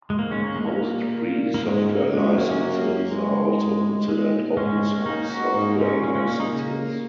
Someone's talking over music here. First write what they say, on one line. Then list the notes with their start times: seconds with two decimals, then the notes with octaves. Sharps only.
Most free software licenses are also considered open-source software licenses.
0.10 G#3
0.19 G#2 A#3
0.31 G#3 C#4
0.44 A#3
0.56 G#3
0.68 A#2 A#3
1.17 A#2
1.54 A#3
1.65 G#2 G#3
1.89 A#3
2.14 F#2 G#3
2.38 A#3
2.51 C#4
2.62 A#3
3.11 G#3
3.60 G#2
4.08 A#2 G#3
4.57 G#2 G#3 C#4
5.06 A#3 D#4
5.30 C#4 F#4
5.54 G#2 A#3 D#4
5.79 G#3 C#4
6.03 A#2 G#3 C#4
6.15 G#3 C#4
6.28 A#3
6.40 A#3 D#4
6.52 C#3 A#3